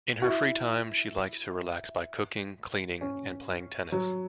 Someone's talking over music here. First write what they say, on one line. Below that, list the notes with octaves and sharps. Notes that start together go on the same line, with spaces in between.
In her free time, she likes to relax by cooking, cleaning and playing tennis.
F#4
E4
C#4
F#3